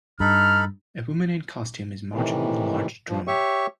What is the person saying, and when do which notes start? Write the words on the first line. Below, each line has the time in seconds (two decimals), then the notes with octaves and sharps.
A woman in costume is marching with a large drum.
0.20 G2 D#4 A4 B5 F6
2.14 A2 C3 D#3 E3
3.09 G2 F3
3.28 G4 C#5 E5 C#6